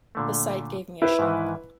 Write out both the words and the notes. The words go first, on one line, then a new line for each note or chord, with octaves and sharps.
The sight gave me a shock.
A#2 D3 A3
E4 G4 B4 C5
G#2 D#3 E3